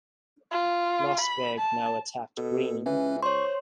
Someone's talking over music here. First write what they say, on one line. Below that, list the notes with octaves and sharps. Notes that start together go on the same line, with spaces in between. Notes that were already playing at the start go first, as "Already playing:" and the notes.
Lossberg now attacked Greene.
F4
B5
A5
B2 A4
C#2 E3 C#4 B4
C5 C#5 C6 C#6